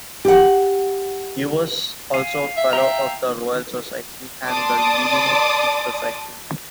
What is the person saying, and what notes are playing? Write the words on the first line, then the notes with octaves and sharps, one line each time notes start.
He was also a Fellow of the Royal Society and the Linnean Society.
G4 F#5
F5 G#5
E5
E5 F5 G5 A#5
D5 A5 C6 D6 D#6